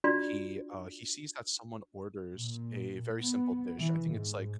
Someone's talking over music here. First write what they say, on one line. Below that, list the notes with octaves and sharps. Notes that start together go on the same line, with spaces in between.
he, uh, he sees that someone orders a very simple dish, I think it's like
D4 F4 F#4 D5 C6
A#2
B3
E3
G#2